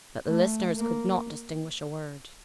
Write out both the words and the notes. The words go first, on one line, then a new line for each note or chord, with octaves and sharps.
But the listeners could not distinguish a word.
A3
A#3